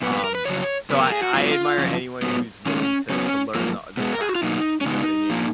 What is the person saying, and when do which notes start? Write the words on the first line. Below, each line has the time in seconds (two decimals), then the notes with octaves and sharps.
um, so I I admire anyone who's willing to to learn the u the craft, you know what I mean?
0.02 A#2 F#3 B3 B4
0.13 B4
0.24 A#4
0.35 B4
0.46 F2 C#3 F#3 C#5
0.90 F#2 C#3 F#3 B3 B4
1.01 A#4
1.12 G#4
1.23 F#4
1.34 G#2 F#3 B3 F4
1.78 F#2 C#3 F3
2.22 G#2 F#3 B3
2.66 G#2 D#3 G#3 C#4
3.10 C#3 F#3 B3 C#4
3.55 F#2 F3 A#3
3.97 B2 G#3 B3
4.13 A#4
4.21 G#4
4.28 F#4
4.35 F4
4.43 B2 F#3 A#3 D#4
4.81 C#4
4.86 C#3 G#3 B3 D#4
5.30 A#2 F3 A#3